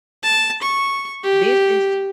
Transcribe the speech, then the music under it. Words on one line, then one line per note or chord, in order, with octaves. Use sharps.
This is"
A5
C#6
G4